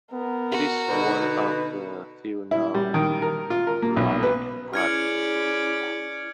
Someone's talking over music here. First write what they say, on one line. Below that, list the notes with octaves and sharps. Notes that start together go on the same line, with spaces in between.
It is one of the few non-rhotic flaps.
B3 A#4
F#4
B2 D3 D#4 B4
E4
G3
D#3
A#4
F4
A#4
A#3
B1
B4
G#3 C#4 E4 D5 F6 G#6 C#7